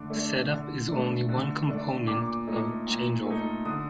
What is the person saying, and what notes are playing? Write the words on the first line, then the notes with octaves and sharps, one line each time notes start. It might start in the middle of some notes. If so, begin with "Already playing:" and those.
Set-up is only one component of changeover.
Already playing: D3 A3 D4 D6
A3 D4
D3
A3 D4
D3
A3 D4
A#2 D6
A3 D#4
A#2
A3 D#4
D3 D#6